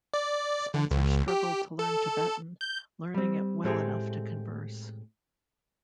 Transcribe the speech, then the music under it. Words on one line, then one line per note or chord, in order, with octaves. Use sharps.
Spencer struggled to learn Tibetan, learning it well enough to converse.
D5
D3
C#2
G4
A4
G6
G3 C4
A2 G#3 A3 C4 G4 G#4